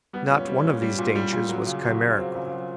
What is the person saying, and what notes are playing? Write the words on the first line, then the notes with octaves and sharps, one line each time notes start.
Not one of these dangers was chimerical.
G3 B3
A#2
C#4
G3
C#4
A#2
G3
A#2
G3
A#2
F#3
C#3
F#3
C#3
F#3 C4
C#3
F#3